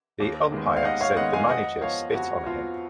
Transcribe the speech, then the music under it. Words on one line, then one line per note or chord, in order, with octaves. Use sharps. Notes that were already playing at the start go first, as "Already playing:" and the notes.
The umpire said the manager spit on him.
D#2
D#3 G#3 B3
F5
D#2 D#5 F#5
C#5 F5
D#3 G#3 B3 D#5 F#5
F5 G#5
F2 D#5 F#5
F3 B3 C#5 F5
F2 F#4
F3 B3 F4